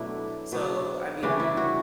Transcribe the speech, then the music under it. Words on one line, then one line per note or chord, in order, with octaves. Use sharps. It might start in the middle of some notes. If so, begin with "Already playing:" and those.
So, I mean,
Already playing: B2 F#3 A3 D4 E4
B2 F#3 B3 D4
C#3 E3 G3 C#4 D4
E4
F#4